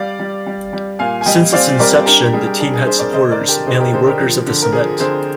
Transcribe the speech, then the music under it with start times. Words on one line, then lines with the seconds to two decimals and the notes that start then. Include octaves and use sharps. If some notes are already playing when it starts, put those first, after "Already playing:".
Since its inception, the team had supporters, mainly workers of the cement.
Already playing: G3 D5 F5
0.19 G3
0.46 G3
0.73 G3
0.99 A#2 F5 G#5
1.21 G#5
1.26 G3 D#5 G5
1.53 C4 D5 F5
1.79 G3 A#4 D5
2.06 D4 G4 A#4
2.20 G4
2.33 G3 G#4
2.46 G4
2.60 D4 G#4
2.74 G#4
2.86 D4 G#4 C5
2.99 A#4 D5
3.13 D3 C5 D#5
3.31 A#4 D5
3.40 D3
3.48 G4 A#4
3.67 D#4 G#4 C5
3.80 G4 A#4
3.92 D3 G#4 C5
4.06 G4 A#4
4.19 F3
4.47 D3
4.62 A#4
4.73 F3 G#4
5.00 D3 G#4 C5